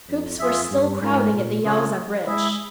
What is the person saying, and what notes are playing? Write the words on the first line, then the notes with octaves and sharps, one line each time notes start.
Troops were still crowding at the Yauza bridge.
F2
F2 F4 G#4 E5
G2
G#2 C#4 F4 A#4
A#2
C#3 C4 F4 G#4 C#5
G#3 E4 G#4 E5